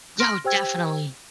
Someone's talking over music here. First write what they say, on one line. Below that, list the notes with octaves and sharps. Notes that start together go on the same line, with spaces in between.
Yo, definitely.
C6 F6 A#6 D7
G4 C5 G5 E6 G#6